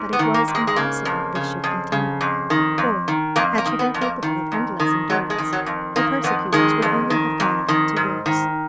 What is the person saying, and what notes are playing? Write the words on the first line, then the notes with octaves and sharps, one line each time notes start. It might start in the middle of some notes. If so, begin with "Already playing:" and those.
But it was impossible this should continue; for, had she been capable of endless endurance, her persecutors would only have gone on to worse.
Already playing: G#2
B3
D#3
A#3
G#2
G#3
G#3
C#3 A#3
F2
C#3
F2
C#3
F2
D#3
F2
D#3
F2 A#3
A#3
D#3
B3
F2
A#3
D#3
F2
D#3
F2 F#3
G#3
D#3
F#3
F2
D#3 A#3
F2 B3
D#3 G#3
F2
D#3
F2
D#3
G#2
D#3